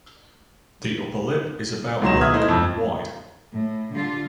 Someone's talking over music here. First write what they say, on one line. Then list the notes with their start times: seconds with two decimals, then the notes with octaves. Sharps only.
The upper lip is about long and wide.
2.02 C#2 D#3 F#3 C6 A#6 E7
2.21 E5 D#6 F6 G#6
2.33 A3 D#4 E4 C5
2.48 F2
3.54 A2
3.93 D3 G3 F4